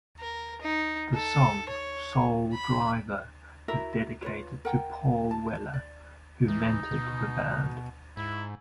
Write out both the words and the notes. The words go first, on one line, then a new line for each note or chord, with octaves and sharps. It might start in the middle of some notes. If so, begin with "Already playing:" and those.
The song "Soul Driver" is dedicated to Paul Weller, who mentored the band.
A#4
D#4
A4
C#5
B5
E4 F#4 A#4 E5
F4 B4 C#5
A#4 F#5 G5
A5
D5
E3 D#4
B2
G#2 E4